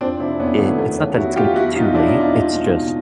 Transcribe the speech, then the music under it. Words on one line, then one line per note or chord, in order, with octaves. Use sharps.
it it's not that it's gonna be too late, it's just
F2 C4 D4
C3 D4 E4
F2 B3 C#4
D#3 A3 B3
E2 A3 B3
C#3
E2 E4 F#4
F3 F4 G4
E2 E4 F#4
B2 D#4 F4
B2 D4 E4
C#4 D#4
E2
D#4 F4
C#2
B2
B2